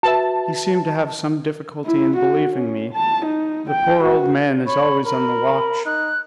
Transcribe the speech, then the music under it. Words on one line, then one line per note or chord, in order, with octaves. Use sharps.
He seemed to have some difficulty in believing me. The poor old man is always on the watch.
F#4 B4 E5 A5
E4
F#4
C#4
A5
D#4
G5
F#4
C#5 B5
A#4 B5
D#4 F#6